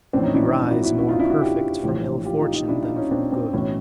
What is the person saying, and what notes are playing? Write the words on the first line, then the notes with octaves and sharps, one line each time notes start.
We rise more perfect from ill fortune than from good.
A#1 A2 E3 C4 D4
C#4 D#4
D4 E4
C#4 D#4
E4 F#4
E4 F#4
E4 F#4
D#4 F4
D4 E4
E4 F#4
F4 G4
A#1 A2 E3
F4 G4
D#4 F4
D#4 F4
D4 E4
D#4 F4
C#4 D#4
C4 D4
C4
B1 A2 E3 C#4